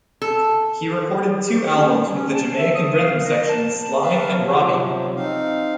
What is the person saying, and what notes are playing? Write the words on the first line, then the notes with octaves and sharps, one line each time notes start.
He recorded two albums with the Jamaican rhythm section Sly and Robbie.
A4
G4
C#4
G3
C#4
A5
E5
D#6
F5
A#4
A5
A#4 B4 E5 F5 A5
C3 F3 F#3
C4 D#4 F5